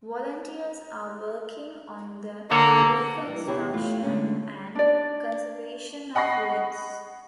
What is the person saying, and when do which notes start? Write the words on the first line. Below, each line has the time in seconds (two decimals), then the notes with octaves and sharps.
Volunteers are working on the reconstruction and conservation of ruins.
2.51 D3 A#3 A4 C#5
3.27 E3 G3
3.47 E2 C3 E4 G4 G#4 C#5
3.73 A3 F4
4.03 D3 G#3 A3 C#4
4.75 D4 D5
6.15 D#5 F#5 B5 C#6 A#6 C7